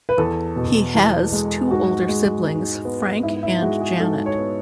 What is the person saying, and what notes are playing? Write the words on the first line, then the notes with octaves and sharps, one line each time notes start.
He has two older siblings, Frank and Janet.
B4
E2 A4
B2
E2
G#3
G#2 F#4
G#3
G#2
B3
G#2 E4
E4
G#3 F#4
G#4
G#2 A4
C#5
B3